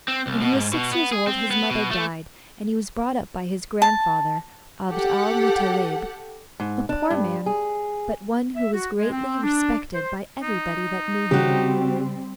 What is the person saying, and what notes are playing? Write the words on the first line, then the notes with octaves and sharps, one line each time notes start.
When he was six years old his mother died and he was brought up by his grandfather, Abd al-Muttalib, a poor man, but one who was greatly respected by everybody that knew him.
C4
C2
B2
G#2
B2
B3
G#4
C4
B3
B2
A3
A5
G4 A4 F#5
G#2
D4
G2
G#4
E5
F#4
G#3
C4
D4
C5
D#4
C#3 G3 C4 F#4 G4